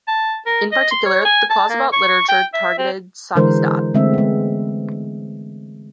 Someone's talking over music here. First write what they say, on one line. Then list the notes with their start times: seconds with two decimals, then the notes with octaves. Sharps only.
In particular, the clause about literature targeted "samizdat".
0.08 A5
0.46 A#4
0.72 D#5
0.91 C6
1.05 C#5
1.25 G#5
1.50 A5
1.69 A#3
1.93 C#6
2.28 G5
2.54 E5
2.78 C4
3.35 D3 E3 G#3 A#4 C5
3.94 D3 G#3 A3 C4 E5
4.14 G#3 B3